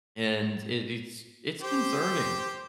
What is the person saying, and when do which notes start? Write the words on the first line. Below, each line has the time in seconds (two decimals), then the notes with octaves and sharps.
and it it's it's concerning,
1.61 G4 C5